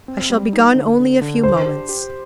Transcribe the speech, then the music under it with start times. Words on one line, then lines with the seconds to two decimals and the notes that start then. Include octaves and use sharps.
"I shall be gone only a few moments."
0.08 C4
0.30 G3
0.53 D#4
0.75 D3
0.99 D3
1.21 D3
1.43 D4 C5
1.66 G4
1.89 G4